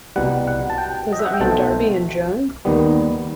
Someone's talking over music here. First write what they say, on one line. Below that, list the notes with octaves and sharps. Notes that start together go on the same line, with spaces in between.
Does that mean Darby and Joan?
C2 B2 G3 F#5
F#5
A5
G5
D#5
E5
F#5
G5
B1 B2 A3 C4 A5
D#2 D#3 G3 B3